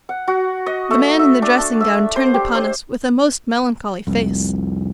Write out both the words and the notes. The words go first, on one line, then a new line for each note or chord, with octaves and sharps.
The man in the dressing-gown turned upon us with a most melancholy face.
F#5
F#4
D#5
A3
E5
D4
A5
E5
C5
G4
C5
F1 C2